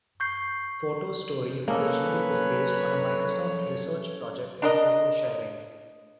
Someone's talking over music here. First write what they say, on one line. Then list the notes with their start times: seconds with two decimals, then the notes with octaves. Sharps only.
Photo Story originally was based on a Microsoft Research project in photo sharing.
0.20 C#6 G6 C7
1.68 F#3 A#3 C#4 G#4 A4 B4 C#5
4.62 D4 A#4 D#5